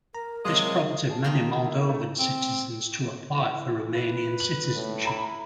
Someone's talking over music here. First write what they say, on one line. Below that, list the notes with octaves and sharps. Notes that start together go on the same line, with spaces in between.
This prompted many Moldovan citizens to apply for Romanian citizenship.
A#4 A#5
C3 F#3 G#3 D#5 F5
G#4 A5
D#3 A#3 F4
E4
A3
C4
E3
B4
F#7
A2
E4 A#5 B5